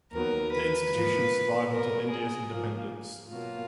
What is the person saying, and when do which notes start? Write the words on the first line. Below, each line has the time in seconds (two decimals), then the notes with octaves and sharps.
The institutions survived until India's Independence.
0.12 D#2 D#3 F#3 B3 A#4
0.51 B4
0.91 G#2 F3 A#3
1.70 B2 F#3 B3 A#4
2.10 G#4
2.50 G#2 F3 A#3
3.29 B2 F#3 A#3 F4